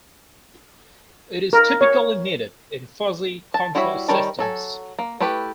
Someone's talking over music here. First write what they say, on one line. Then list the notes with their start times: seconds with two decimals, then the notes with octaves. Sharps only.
It is typically needed in fuzzy control systems.
1.53 A#4
1.81 C#5
3.54 A5
3.75 G3 E4 F#4 C#5 E5
4.08 D#3 G3 A#4 C#5 A5
4.39 F#3 A4 G#5
4.99 A#3
5.20 A3 E4 G4 B4